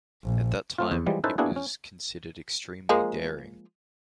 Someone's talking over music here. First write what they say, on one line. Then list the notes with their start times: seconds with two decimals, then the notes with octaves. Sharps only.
At that time it was considered extremely daring.
0.24 A#1
0.78 A3 C4 F4
0.91 E2
1.06 E3 F3 G3 G#3
1.24 C#4 D#4 E4 A4 B4 C5
1.38 A#3 B3 D4 E4 F#4 G#4
1.56 C#4
2.89 F3 G#3 A#3